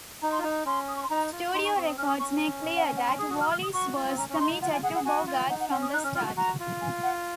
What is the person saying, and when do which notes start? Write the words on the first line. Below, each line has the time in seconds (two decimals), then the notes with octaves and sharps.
Studio records make clear that Wallis was committed to Bogart from the start.
0.22 D#4 A#5
0.31 C6
0.39 F4
0.42 D#4 A#5
0.65 C#4 C6
0.88 D#6
0.96 C#6
1.03 C6
1.10 D#4 A#5
1.32 F4
1.54 D#4 C6
1.65 C#6
1.75 C4 C#6
1.87 D#6
1.97 C#4 F6
2.08 D#6
2.19 C#4 C#6
2.76 F#5
2.86 G#5
2.97 F#5
3.07 C6
3.19 G#4 D#6
3.30 F#4 D#6
3.40 F6
3.51 F6
3.63 D#6
3.73 F#4 C#6
3.95 F4
4.08 C4
4.17 C#4 A#5
4.29 C#4 C#6
4.39 D#4 C6
4.61 F4 F#5
4.72 G#5
4.83 G#4 F#5
4.95 F#5
5.05 F#4 G#5
5.27 F4
5.49 D#4 F#5
5.60 F#5
5.71 C#4 F#5
5.82 D#6
5.93 D#4 F#6
6.04 C#4 F6
6.15 F4 F6
6.26 F#4
6.36 F#4 A#5
6.60 F4
6.81 G#5
7.03 F#5